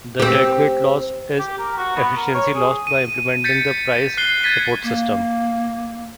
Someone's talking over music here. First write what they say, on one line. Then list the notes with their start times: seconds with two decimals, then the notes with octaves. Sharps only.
The deadweight loss is the efficiency lost by implementing the price-support system.
0.20 C4 G4
1.39 G4
1.58 A#4
1.78 F#4
1.97 B3
2.16 A#4
2.35 C#5
2.54 G#4
2.87 D#7
3.44 G6 A6 B6 C#7
4.18 F#6 C7 G7
4.43 F#6 G#6 A6 B6 D#7
4.83 A#3